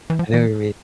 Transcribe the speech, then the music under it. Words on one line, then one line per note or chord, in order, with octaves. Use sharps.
I know what you mean.
E3
F3
E3